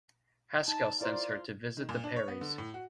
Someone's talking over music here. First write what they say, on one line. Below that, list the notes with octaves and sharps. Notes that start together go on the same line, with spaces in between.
Haskell sends her to visit the Perrys.
D#4 A5
E4 F4 A#4 C5 D5
D#3
A#2
D4
C#5
B3
D3
A2
F#4